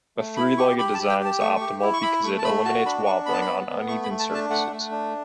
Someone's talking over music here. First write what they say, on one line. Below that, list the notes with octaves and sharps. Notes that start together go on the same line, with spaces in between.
A three-legged design is optimal because it eliminates wobbling on uneven surfaces.
A3
E4 B5
G4 C#6
G4 B5
A5
G4
G5
G4 A5
A3 C#6
C#6
G4
E4
C#6
E4 B5
A3 C#6
A5
A3 B5
F#4 A5
D4 B5
D4 C#6
B3 B5
A5
B5
B3
B3
A3 C#6
B5
A3
A5
D4 A5
A3 F#5
A3
D4